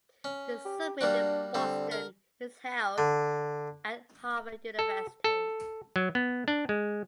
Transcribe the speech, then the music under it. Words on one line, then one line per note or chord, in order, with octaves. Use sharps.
The summit in Boston is held at Harvard University.
C#4
G4
G3 A#3 D4 F#4
D3 G3 C4
A#4
D3
A4
A4
F#3
B3
D4
G#3